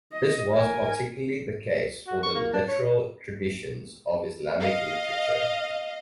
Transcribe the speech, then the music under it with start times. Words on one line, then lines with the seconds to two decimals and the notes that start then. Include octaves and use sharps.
This was particularly the case for the literary traditions of Islamic literature.
0.12 D#5
0.53 A#4 G#5
2.07 F#4
2.23 C#6
2.35 A#3
2.53 D4
2.68 C#5
4.60 D#5 F5